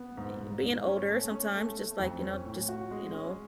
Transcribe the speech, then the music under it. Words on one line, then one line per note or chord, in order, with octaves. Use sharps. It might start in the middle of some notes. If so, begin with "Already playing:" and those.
be being older sometimes just, like you know, just you know,
Already playing: B3
G#2
G#2
G#2
C#4
A3
C#4
A3
A3
F2
C#4
A2
F#4
G#3
C#4